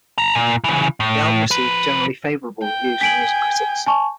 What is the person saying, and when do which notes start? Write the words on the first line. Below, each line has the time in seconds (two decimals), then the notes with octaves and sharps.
The album received generally favorable reviews from music critics.
0.18 A5 A#5
0.35 A#2
0.64 C#3 E3
1.00 A2
1.51 F3 B4
2.63 G5
3.01 G#5 B6 D7 F#7
3.86 G#5 A5 C#6